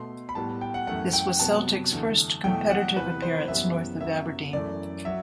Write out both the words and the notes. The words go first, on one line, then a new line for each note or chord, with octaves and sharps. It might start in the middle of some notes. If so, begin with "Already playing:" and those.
This was Celtic's first competitive appearance north of Aberdeen.
Already playing: B2 A3 C6
B5
A2 G3 B3 A5
G5
F#5
F#2 E3 A3 F#5
G5
C3 F#3 B3 A5
E2 D3 A3
E2 B2 F#3 A3 G5
F#5
E2 C3 E3 B4
C5
F#2 E3 G3 B3 E5
F#2 F#3 B3 E5
F#2 E3 A3 D5
F#3 E5